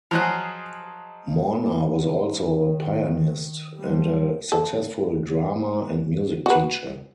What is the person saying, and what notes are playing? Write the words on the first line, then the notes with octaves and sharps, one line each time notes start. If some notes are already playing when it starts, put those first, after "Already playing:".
Morna was also a pianist and a successful drama and music teacher.
F3 F#3 G#4 D#5 F5 F#6
D#3
F3 G3
A4
F#4 B4